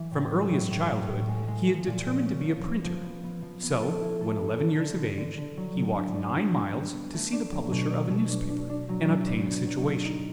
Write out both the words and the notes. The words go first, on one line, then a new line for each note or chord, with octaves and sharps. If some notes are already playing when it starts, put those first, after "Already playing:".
From earliest childhood he had determined to be a printer; so, when eleven years of age, he walked nine miles to see the publisher of a newspaper, and obtain a situation.
Already playing: E3
A2
F#3
A2
A2
A2
A2
G#3
G#3
F3
A#2
A#2
C#4
F3
B3
F3
B3
B3
F3
B3
A4
E4
A4
B3
A4
D3
D3
D3
D3
F#3
D3
D4
D4
B3
G3
B3
B3
A3
D4
F#3
B2
D4
B2
D4
D4
D4
F#3
D4
D4
B3
F#3
D#4
D#4